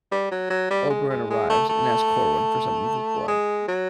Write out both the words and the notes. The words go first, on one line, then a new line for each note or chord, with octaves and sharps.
Oberon arrives, and asks Corwin for some of his blood.
G3
F#3
F#3
G3
G#3
G#3
G#3
A3
A3
G#3
F#3